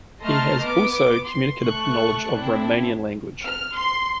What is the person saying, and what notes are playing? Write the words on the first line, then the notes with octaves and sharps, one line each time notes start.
He has also communicative knowledge of Romanian language.
A3 D#5 A5 A#5 C6 F6
B3 D6
C6
A3 C#6 F#6
C4 D4 E4
F6
C6